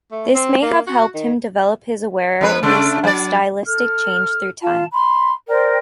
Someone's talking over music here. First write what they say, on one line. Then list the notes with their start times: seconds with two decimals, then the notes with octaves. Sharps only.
This may have helped him develop his awareness of stylistic change through time.
0.12 A3
0.34 C4
0.62 A#3
0.87 F#4
1.14 D#3
2.41 F2 D#4 B4
2.63 C#3 A3 D4
3.04 F#3 D5
3.64 A4 F6
4.60 F4 A5
4.92 B5 C6
5.48 A#4 C5 D5 G5